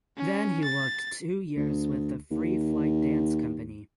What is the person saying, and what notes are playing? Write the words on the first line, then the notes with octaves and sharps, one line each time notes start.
Then he worked two years with the Free Flight Dance Company.
C#4
A6
D2
D#2